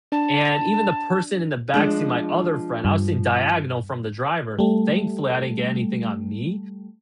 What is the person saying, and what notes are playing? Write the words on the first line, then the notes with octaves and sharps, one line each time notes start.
and even the person in the backseat, my other friend I was sitting diagonal from the driver, thankfully, I didn't get anything on me,
D4 A5
F3 G#3 D4
G2
G3 A3